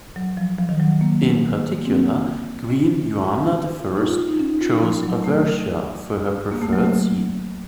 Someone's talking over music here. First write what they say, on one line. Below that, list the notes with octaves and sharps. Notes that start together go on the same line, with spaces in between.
In particular Queen Joanna I chose Aversa for her preferred seat.
F#3
F3
F3
D#3
F#3
A#3
A#3
C4
C#4
D#4
F4
F4
D#4
C#4
D#4
F4
D#4
F3
F#3
A3
A#3
A3
F#3
A3